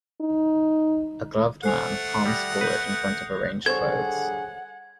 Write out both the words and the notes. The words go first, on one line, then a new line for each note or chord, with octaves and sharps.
A gloved man palms forward in front of arranged clothes.
D#4
A3 A4 C5 F#5 G#5 F#6 C7 F7
G3 D#6 A#6
B4 F#6 G6
D3 G3 G#4 A4 C5 C#5 F#5 G#6